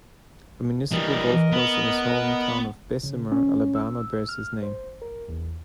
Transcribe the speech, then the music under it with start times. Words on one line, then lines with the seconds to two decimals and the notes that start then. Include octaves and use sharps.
A municipal golf course in his home town of Bessemer, Alabama, bears his name.
0.92 E3 G3 A#4 D#5
1.52 B3
3.03 C#3
3.32 C#4
3.75 E6
4.29 F6
4.62 C5
5.02 A#4
5.28 E2